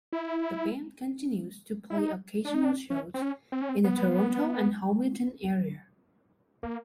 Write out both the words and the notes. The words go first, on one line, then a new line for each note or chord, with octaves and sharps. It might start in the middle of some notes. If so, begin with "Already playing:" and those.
The band continues to play occasional shows in the Toronto and Hamilton area.
E4
E4
D#4
D4
D#4
D4
C#4
C4
C#4
C4
C#4
C4
B3
A#3